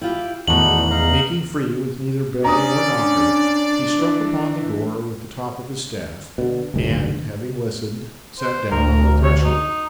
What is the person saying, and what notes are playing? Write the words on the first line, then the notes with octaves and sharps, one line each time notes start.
Making free with neither bell nor knocker, he struck upon the door with the top of his staff, and, having listened, sat down on the threshold.
E4 F4 G4 G5
E2 A2 D#3 D4 D#4 F#4 F#7
D#4 F5 A#5
C#4 D4 D5 A#5 D#6
E3
B2 D3
F#1 D2 G#2 D#3
C5
D2 A#4
C#5
D#4